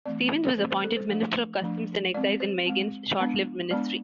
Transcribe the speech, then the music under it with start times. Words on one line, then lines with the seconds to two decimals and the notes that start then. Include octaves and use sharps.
Stevens was appointed Minister of Customs and Excise in Meighen's short-lived ministry.
0.06 E3 A3 C4 D5
0.58 E3 A3 C4 C5
0.71 C5
0.84 A4
0.97 C5
1.10 F3 A3 D4
1.62 F3 A3 D4
2.14 G#3 C4 D5
2.40 C5
2.66 G#3 C4
3.19 G#3 B3 D4
3.71 G#3 B3 D4 D5